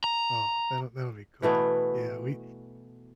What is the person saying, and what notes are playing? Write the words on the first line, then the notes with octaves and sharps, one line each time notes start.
Oh, that'll that'll be cool, yeah, we
A#5
B2 E3 A3 B3